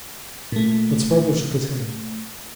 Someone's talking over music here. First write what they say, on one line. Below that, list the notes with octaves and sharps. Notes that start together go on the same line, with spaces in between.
But Spargo shook his head.
A#2 A3